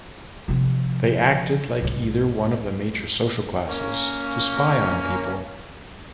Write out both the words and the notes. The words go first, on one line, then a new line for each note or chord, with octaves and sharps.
They acted like either one of the major social classes to spy on people.
C3 F3
C2 G#2
A#3 C#4